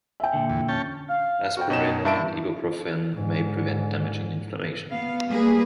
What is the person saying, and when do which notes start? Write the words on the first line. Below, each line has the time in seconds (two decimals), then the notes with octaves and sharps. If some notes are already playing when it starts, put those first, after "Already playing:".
Aspirin and ibuprofen may prevent damaging inflammation.
0.20 E5 G5
0.33 A#2 D3
0.50 E2
0.69 C#4 G5 A5
1.09 F5
1.57 F2 F#4 G5
1.70 F#2 B2 D#4 E7
2.05 G2 A#3 E4 E5 A5 D7
3.13 G#2 D3
4.91 B3 F5
5.28 G3 A#3 G#4 B4